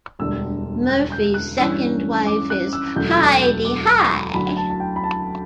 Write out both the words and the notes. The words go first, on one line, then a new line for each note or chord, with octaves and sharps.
Murphy's second wife is Hi-de-Hi!
E1 D2 D3 G3 E6
F#6
G6
F#6
G2 E3 G3 C#4 E6
D6
F#6
E6
E1 D2 D3 F#3 A3 G6
A6
G6
D6
C#6
D2 D3 F#3 B5
A5
A5
G5
B5
A5